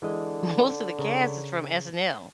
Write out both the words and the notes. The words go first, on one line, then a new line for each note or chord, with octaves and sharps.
most of the cast is from SNL.
D3 E3 G#3 D#5
C#3 A#4